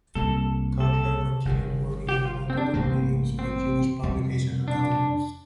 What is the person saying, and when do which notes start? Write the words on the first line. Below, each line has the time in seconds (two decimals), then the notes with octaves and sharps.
Cutler continued working in multiple mediums for Jewish publications and outlets.
0.15 C2 C3 G3 A#3 A4
0.80 A4
1.45 G1 F2 C3 D#3
2.09 G4
2.25 F4
2.50 C4
2.57 D4
2.74 A1 G2 D#3 A#3 C4
3.39 C4
4.03 F2 C3 G3
4.68 D4